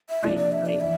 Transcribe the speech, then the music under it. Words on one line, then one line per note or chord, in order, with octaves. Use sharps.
Right, right.
E5
C3 F3 A#3 D4 D5
D5
E5
D5
E3 E5